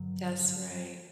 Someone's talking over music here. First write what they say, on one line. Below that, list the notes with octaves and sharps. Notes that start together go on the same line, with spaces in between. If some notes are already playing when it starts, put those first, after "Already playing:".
That's right.
Already playing: G2 D3 F#3